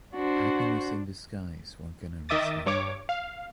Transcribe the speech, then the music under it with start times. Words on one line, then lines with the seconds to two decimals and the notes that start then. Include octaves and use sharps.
Happiness in disguise, one can only say.
0.15 D4 F#4 C5
2.29 D#3 D#5 E5 D6 D#6 A6
2.66 G2 C#5 D6
3.09 F5